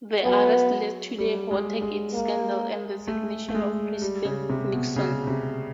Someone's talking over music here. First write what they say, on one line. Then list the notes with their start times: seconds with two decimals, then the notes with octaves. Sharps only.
The arrests led to the Watergate scandal and resignation of President Nixon.
0.25 F#3 B3
1.19 G3
1.51 G#3
1.82 G#3
2.13 A#3
3.07 A3
3.48 A3
3.55 G#3
4.02 G3
4.25 C#3
4.49 C3
4.72 B2
4.96 C#3
5.27 C3